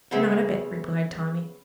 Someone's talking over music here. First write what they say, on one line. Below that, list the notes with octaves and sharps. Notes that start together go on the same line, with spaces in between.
"Not a bit," replied Tommy.
C#3 B3 C4 G#4 E5